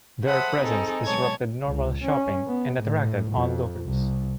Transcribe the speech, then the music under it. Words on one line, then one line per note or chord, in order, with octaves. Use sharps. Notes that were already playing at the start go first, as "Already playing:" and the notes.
Their presence disrupted normal shopping and attracted onlookers.
A4 C5 E5 F#5 B5 D#6
C4 D#4 G#4 A4
B2 F#3 G#3 C#5 A5 G#6
C#2
C#4
B3
A2
F2
C2